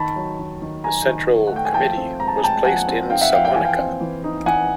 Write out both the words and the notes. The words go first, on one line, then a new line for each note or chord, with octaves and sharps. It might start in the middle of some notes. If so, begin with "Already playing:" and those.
The Central committee was placed in Salonica.
Already playing: D#3 A5 B5
F#3
D#3
D#3
F#3 G#5 A#5
D#3
D#3
F#5
A3 G5
G#5
F3 G5 A5
C4
G#3 A#5
A5
G#5
G#3 G5 A5
F3 F#5 G#5
C4
D#4 F5 G5
E5 F#5
F3 F5 G5
G5
E3 G#5
F5 G5
C4
E3
D#4
E3 F#5 G#5